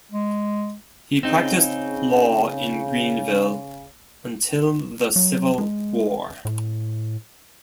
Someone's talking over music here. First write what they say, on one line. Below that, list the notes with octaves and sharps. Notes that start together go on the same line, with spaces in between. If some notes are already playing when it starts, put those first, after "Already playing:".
He practiced law in Greenville until the Civil War.
G#3
C#3 C4 D#4
F#3
G#3
A2